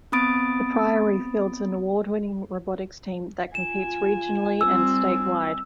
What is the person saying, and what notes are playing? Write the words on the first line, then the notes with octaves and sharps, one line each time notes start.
The Priory fields an award-winning robotics team that competes regionally and statewide.
B3 C4 B5 D#6 A6 D7
F4 G#5 E7
G3 C4 E6